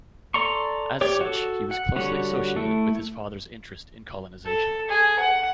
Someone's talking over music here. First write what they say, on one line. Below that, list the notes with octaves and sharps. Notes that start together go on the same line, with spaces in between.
As such, he was closely associated with his father's interest in colonisation.
A4 D5 A#5 C6 C#6
G4 C#5 D5
F#4 A4
F#5
D3 G3 F#4 C#5
A3 E4
A4
G#4
F#5